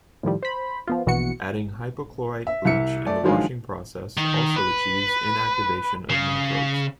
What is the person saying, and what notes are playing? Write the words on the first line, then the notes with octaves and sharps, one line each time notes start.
Adding hypochlorite bleach in the washing process also achieves inactivation of microbes.
A2 D#3 F3 G3
C5 B5
F3 B3 F4
A#1 B2 E3 B3 F#4 C#7
E5
C2 E5 C#7
A3 D5
D3 D#3 F3 F#3 G#3 F4
D#3
B4
C#3